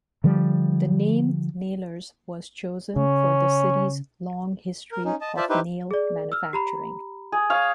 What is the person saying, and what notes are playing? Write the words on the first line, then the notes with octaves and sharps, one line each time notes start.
The name "Nailers" was chosen for the city's long history of nail manufacturing.
D3 F3 G3
C#3 C#4
A#4
C#4 D#4
D#5 A5
F4 C5 D5 E5 A5
D#4 E4 G4 B4 C5
G#4 D5
E6 F6
G4 A#5 B5
G#4
C#5 F5